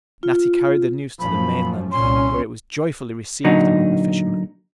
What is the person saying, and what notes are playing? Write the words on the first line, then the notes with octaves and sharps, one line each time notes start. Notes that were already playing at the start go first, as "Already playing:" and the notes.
Natty carried the news to the mainland, where it was joyfully received among the fishermen.
F4
F#2 F3 B5
C2 A#2 C#4 C6
A#2 D3 F#3 D#4